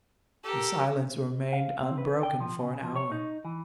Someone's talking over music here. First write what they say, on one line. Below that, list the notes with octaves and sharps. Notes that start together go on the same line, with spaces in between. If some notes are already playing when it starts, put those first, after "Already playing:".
The silence remained unbroken for an hour.
G4 A4 A#4
F5
C4
B4
G5
F3
C#3
F3
C#5
D#4
E3